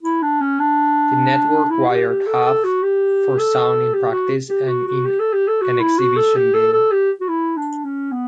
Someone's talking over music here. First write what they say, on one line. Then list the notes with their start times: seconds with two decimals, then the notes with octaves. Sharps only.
The network wired Huff for sound in practice and in an exhibition game.
0.03 E4
0.22 D4
0.41 C#4
0.59 D4
1.70 E4
1.89 G4
2.08 G4
2.27 A4
2.45 A4
2.64 F#4
2.83 G4
3.39 A4
3.94 G4
4.12 F#4
4.49 G4
4.68 F#4
4.87 F#4
5.05 G4
5.20 A4
5.33 G4
5.48 A4
5.61 F#4
5.80 E4
5.98 F#4
6.16 A4
6.36 G4
6.54 A4
6.73 A4
6.91 G4
7.21 F#4
7.28 E4
7.57 D4
7.84 C#4
8.12 B3